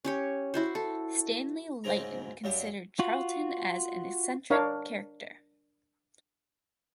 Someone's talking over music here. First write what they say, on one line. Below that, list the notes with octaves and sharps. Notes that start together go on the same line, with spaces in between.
Stanley Leighton considered Charlton an "eccentric character".
C#4 G4 C#5
E4 F#4 C5
A4
D2 G#2 C#3 C4 G#4 A#5
F#2 A#2 F#3 G3 D4 G4
F4 F#4
D4 A#4 C#5 F5